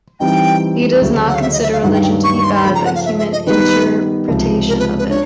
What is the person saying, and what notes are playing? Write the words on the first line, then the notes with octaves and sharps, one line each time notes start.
He does not consider religion to be bad, but human interpretation of it.
E3 G3 C4 D#4 G5
D2 C#3 F#3
F#5
F5
E5
D#5
E5
F5
G2 D#3 F#3 F#5
G5
G5
C#6
C#6
C6
C6
C#3 F3 A3 B5
A#5
F#5
F5
E5
E5
D#5
D#3 G3 B3 D#4 B4
C#2 C3 F3
A#4
B4
B4
D4 C#5